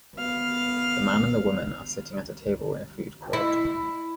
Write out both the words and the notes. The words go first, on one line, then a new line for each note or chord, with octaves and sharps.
The man and the woman are sitting at a table in a food court.
B3 F5
E4